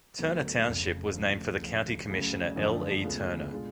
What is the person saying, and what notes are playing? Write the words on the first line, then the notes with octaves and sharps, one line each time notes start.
Turner Township was named for county commissioner L. E. Turner.
D2 D3 F#3 B3
F1 F2 C#3
D2 C#3 F3
D2 C#3 F3
D2 C#3 F#3 C#4
F#2 D3 F3 A3 D4
D2 C#3 G#3 B3 F4
B2 G#3 D4 F4